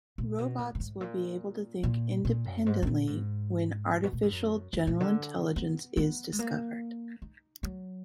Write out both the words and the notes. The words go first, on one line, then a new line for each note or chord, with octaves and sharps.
Robots will be able to think independently when Artificial General Intelligence is discovered.
A#2
B2
A#2
A#2
G#2
A#2
A#2
A#2
F#2
G#2
G#2
A#2
G#2
B2
A#2
G#2
F#2
F#2
A#2
D3
B3
B3
G#3
A#3
D#4
F#3